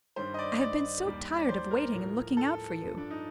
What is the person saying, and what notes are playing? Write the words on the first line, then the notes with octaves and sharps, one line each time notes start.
I have been so tired of waiting and looking out for you.
G2 D#3 G3 C5
D#5
D5
D5
D#2 D#3 G3
D5
C5
A#4
A2 F3
A4
G2 F3
D4
D#4